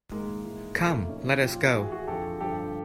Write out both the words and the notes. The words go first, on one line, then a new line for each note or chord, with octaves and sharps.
Come, let us go!
G#2 D#3 G#3 A#3
G#2 E3
F2 C3 F3 A3
A#3
A3
A#2 F3 C#4 D#4
A#2 F3 F4 G4
A2 E3 F#4 G#4
F#4 G#4
F2 D3 F3 G4 A4
G2 D3 F3 G4 A4